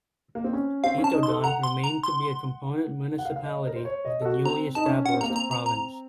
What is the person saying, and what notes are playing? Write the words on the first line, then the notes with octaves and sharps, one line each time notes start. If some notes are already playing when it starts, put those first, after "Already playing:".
Itogon remained to be a component municipality of the newly established province.
A#3
C4
C#4
C4 F5
C#4
A5
D#4
C6
A4
F#5 A#5
C6
A#5
C6
F#5
F5
F5
D#5
A#4
C5
C#5
D#5
A4
F#4
C4 A#5
D#4 A5
C#4
C#4 F#5
C4
A#3 A#5
C4
A#5
A#5
A#5